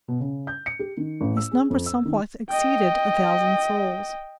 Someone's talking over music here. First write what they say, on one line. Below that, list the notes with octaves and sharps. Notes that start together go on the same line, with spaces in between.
Its number somewhat exceeded a thousand souls.
B2
C#3
G6
C#7
G4
D#3
A1
E6
G#4
F2
E6
D#3
D#5 G5